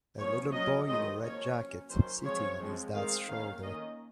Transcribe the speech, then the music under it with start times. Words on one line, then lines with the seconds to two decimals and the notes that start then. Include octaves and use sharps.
A little boy in a red jacket sitting on his dads shoulder.
0.18 F3 A#3 C#4 C#5
0.52 F#3 C#4 D#5
0.87 D#3 G#3 C4 D#5
1.21 F3 A#3 C#4 C#5
1.56 F#3 C#4
1.91 D#3 F#3 C#4 C5
2.24 F3 G#3 C4 C#5
2.59 F3 G#3 C4
2.94 D#3 G#3 C4 F5
3.28 D#3 A#3 C#4 F5
3.62 D#3 A#3 C#4 D#5